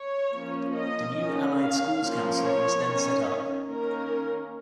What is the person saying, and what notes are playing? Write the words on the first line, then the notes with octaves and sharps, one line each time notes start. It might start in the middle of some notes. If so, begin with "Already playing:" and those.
The new Allied Schools Council was then set up.
Already playing: C#5
F3 A#3 C#4
D#5
D#3 C#4
F5
F3 A#3 C#4
C#5
D#3 C#4
D#3 A#3 C#4 A#4